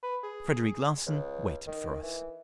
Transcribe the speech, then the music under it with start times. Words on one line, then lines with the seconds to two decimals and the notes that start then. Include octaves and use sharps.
Frederic Larsan waited for us.
0.03 B4
0.23 G#4
1.06 C#2
1.67 D#3
2.03 E3